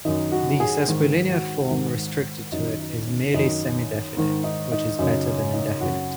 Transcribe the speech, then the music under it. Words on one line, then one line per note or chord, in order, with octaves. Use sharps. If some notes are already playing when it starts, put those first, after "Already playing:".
The sesquilinear form restricted to it is merely semidefinite, which is better than indefinite.
F#2 D#3 D#4
F#4
G#4
G#2 D#3
F#4
G#2 D#3
F#2 D#3 D#4
D#4
C#4
F#2 D#3 D#4
G#2 D#3
D#4
D#4
F#2 C#3 D#4
C#4
D#4
F#2 C#3 F#4